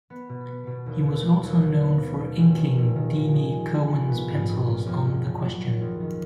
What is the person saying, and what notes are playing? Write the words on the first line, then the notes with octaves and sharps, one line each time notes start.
He was also known for inking Denys Cowan's pencils on "The Question".
B3
B2
B3
B2
D#2
D#2
D#2
D#2
F#3
B3
B2
B2
F1
D#3
F1
D#3
A#2
G#3
G#3
G#3
A#1
B3
G#2
A#1
C#3
F2
F#1
C#3
F#3
D#3
F2
D#3